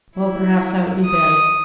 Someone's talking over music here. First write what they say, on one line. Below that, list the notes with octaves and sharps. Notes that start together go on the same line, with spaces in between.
Well, perhaps that would be best.
E4
D#6